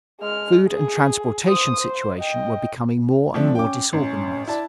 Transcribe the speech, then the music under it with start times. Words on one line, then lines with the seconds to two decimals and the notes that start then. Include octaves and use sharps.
The food and transportation situations were becoming more and more disorganized.
0.20 G#3 F6
0.68 G#4
1.48 C5 D#6
1.80 C5
2.18 D#5 G5
3.34 F3 A3 C4 D4
3.55 C#4 G5 D6
3.93 A1 C#4
4.48 E4 D5 A5